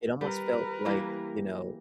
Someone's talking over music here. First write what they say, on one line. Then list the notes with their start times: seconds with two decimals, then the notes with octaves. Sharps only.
it almost felt like, you know,
0.21 G3 A#4 B4
0.85 E3 G3 A#3